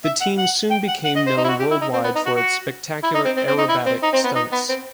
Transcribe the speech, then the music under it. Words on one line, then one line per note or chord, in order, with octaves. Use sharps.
The team soon became known worldwide for its spectacular aerobatic stunts.
E5
F#5
F#5
G5
F#5
F#5
D#5
C5
D#4
E4
F#4
G4
E4
D#4
C4
B3
D#4
F#4
F#4
E4
D#4
C4
C4
C4
D#4
E4
C4
D#4
C4
B3
D#4
B3
C4